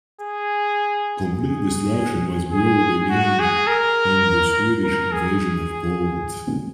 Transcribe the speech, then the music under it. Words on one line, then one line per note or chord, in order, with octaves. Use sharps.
Complete destruction was brought again in the Swedish invasion of Poland.
G#4
G#4
G#4
F#4
G#4
A#4
A#4
G#4